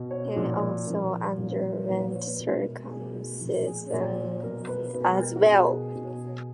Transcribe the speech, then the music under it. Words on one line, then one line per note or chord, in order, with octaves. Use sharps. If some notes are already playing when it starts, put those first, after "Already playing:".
He also underwent circumcision as well.
Already playing: B2
C#5
A#2 F3 F#4
A#4
A#2 F3 A#4
A#2 F3
A#2 F3 B4
B4
C#5
B4
B2 B4
B4
A#4
B2 G#4
F#4
A#2 F3
G#4
A#2 F3
B2 A#4
B4
B2 B4
A#4
F#4
B2 G#4
B2